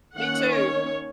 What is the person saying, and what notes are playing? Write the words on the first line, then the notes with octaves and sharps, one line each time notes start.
Me too.
D#3 A#3 C#4 F#5
C#5